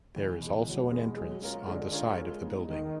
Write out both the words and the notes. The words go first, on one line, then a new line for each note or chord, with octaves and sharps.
There is also an entrance on the side of the building.
E2
B2
G#3
E2 F#3
B2 G#3
F#3 G#3
C#4 F4 A#4 C#5
D3 G#3
C#4 F4 A#4 C#5
G#3
B3 D#4
D#3 G#3